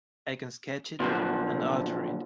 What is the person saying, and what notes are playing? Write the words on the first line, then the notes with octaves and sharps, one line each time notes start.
I can sketch it and alter it.
A#2 D3 F3 F#3